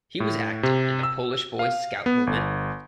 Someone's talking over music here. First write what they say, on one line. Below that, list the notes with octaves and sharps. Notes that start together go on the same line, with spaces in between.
He was active in the Polish Boy Scout movement.
A2
C3
E6
F5
B3
G1